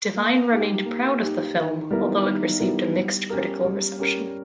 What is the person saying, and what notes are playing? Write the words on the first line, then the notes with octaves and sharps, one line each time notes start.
Divine remained proud of the film, although it received a mixed critical reception.
A#3
D#4 G4
A#3
D#4 G4
D#3
G3 B3 E4 A#4
D#3
G3 B3 E4 A#4
G3
C#4 G4 A#4
G3
C#4 G4 A#4